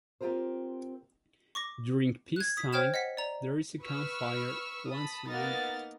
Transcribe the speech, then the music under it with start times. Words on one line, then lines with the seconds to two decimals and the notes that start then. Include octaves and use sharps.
During peace time, there is a campfire once a week.
0.21 C4 F4 G4 A#4 C5
1.55 C#6 D6 A#6
2.36 F#6 G#6
2.57 D#6 B6
2.73 C5 C#5 G5 F6 G#6 E7
2.94 D#5 F#5 B6
3.17 D5 A#5
3.82 B4 B5 C#6 E6 F6
4.88 A5 B5 D#6
5.29 A#3 B3 D#4 D#5 F6 A6